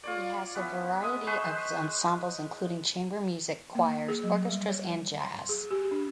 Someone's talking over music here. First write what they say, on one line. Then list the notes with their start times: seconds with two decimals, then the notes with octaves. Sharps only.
The has a variety of ensembles including chamber music, choirs, orchestras and jazz.
0.03 F4 C#5 D5
0.55 B3 C#4 E4
1.01 G#3 E5 D#6
1.27 G#3 B4 C5 C#6
3.75 A#3
4.08 G#4
4.23 F#3
4.50 G3
4.69 C#5
5.19 C6
5.49 G#4
5.71 G4
5.91 D4